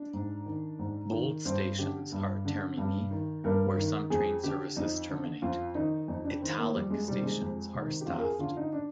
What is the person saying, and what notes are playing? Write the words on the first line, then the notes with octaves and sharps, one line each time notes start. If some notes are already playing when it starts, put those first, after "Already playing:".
Bold stations are termini, where some train services terminate; "italic" stations are staffed.
Already playing: D4
G#2
D#3
G#2
D#3
G2 C4
D3 G4
G2
D3
G2
D#3
G2 A#4
D#3
F2 G#4
D3 G4
F2 D#4
D3
F2 F4
D#3 D#4
F2 D#4
D4
D#3 C4
A#3
F2 G3
G#3
C3 D#3 G3
G#3
F2
C3 D#3
G4
F2 F4
A#4
G#4
D3 F4
D#4
D4